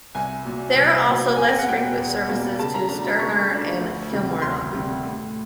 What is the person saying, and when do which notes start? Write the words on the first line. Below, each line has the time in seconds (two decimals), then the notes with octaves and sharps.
There are also less frequent services to Stranraer, and Kilmarnock.
0.15 C2 G#5
0.45 A#2 F#3
0.75 C2
1.07 A#2 F#3
1.36 E2 G#5
1.48 G5
1.59 F#5
1.67 B2 G3 A#3 G5
1.98 E2
2.29 B2 G3 A#3
2.59 C#3 A5
2.74 A#5
2.89 F#3 A3 D4 A#5
3.05 A#5
3.19 C#3 C#6
3.51 F#3 A3 D4
3.81 D2
4.12 C3 D#3 G3
4.42 D2 C6
4.73 C3 D#3 G3
5.03 A2